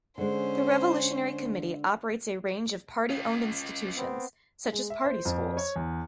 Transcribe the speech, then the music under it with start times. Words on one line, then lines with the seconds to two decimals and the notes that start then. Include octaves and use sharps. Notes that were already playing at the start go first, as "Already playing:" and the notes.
The Revolutionary Committee operates a range of party-owned institutions, such as party schools.
0.18 D3 G#3 C#4 C5
3.10 C#4 F4
3.97 B3 C4
4.72 G#3
4.90 E5
5.05 C5
5.25 F2
5.57 C#5
5.76 E2